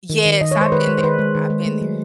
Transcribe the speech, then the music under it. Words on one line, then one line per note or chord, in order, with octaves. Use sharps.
Yes, I've been there. I've been there.
D#3
D#3
D#3 D#5
C#5
G#3 C5
D#3 B4
G#3
C5
D#3 B4
G#3
D#3
G#3
A3
F#3